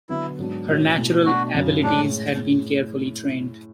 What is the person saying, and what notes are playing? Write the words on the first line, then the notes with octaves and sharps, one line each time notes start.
Her natural abilities had been carefully trained.
D3 F#3 B3 E4
G#2 F#3 B3 D4
A2 F#3 C#4 F#4
B2 A3 E4
B2 A3 D4 F#4
F#2 C#3 F#3
A2 G#3 C#4 D4